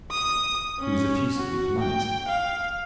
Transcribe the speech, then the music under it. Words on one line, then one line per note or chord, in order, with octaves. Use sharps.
He was effusively polite.
D#6
C#4
F#4
G5
F5